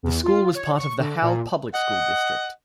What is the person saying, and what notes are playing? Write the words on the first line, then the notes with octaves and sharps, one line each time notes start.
The school was part of the Howell Public School District.
E2
F4
C#5
C#6
D3
A#2
D#5 F#5